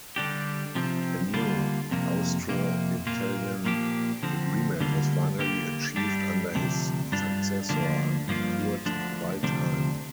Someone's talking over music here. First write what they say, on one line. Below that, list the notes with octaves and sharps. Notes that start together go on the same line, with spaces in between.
A new Austro-Italian agreement was finally achieved under his successor Kurt Waldheim.
D3 G3 D4 G4
C3 F3 C4
D3 G3 A#3 F4
F2 C3 A#3
F2 C3 A#3
A#2 A#3 F4
A#2 F3 A#3 D4 G4
D3 F3 C4
D2 D3 G3 A#3 F4
D3 A#3 G4
G2 G3 D4 G4
D2 C3 F3 D4
G2 G3 D4 F4
D2 D3 F3 A#3 D4
G2 F3 A#3 F4
D2 D3 F3 D4
D2 C3 F3 D4